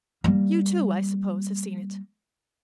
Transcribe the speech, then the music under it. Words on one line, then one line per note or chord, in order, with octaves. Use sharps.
"You too, I suppose, have seen it?"
G3 A#3